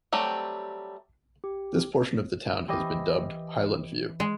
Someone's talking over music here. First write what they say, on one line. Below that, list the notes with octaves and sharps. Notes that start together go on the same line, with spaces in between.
This portion of the town has been dubbed "Highland View".
F#3 G3 A3 C4 G4
G4
E3 G4 C5 D#5 G5 D6
G#3